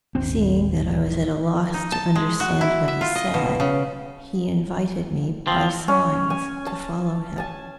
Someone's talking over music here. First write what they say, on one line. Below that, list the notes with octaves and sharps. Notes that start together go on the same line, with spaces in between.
Seeing that I was at a loss to understand what he said, he invited me by signs to follow him.
D#1 G#1 C4
D#4
A5
G#3
F#4
E4
E5
F4
D#5
B2
C#3
F3 C4
C#4
G#5
A5
G#5 A5